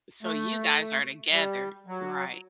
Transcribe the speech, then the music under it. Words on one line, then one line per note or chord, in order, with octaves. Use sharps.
So you guys are together, right.
A3
G3
F#3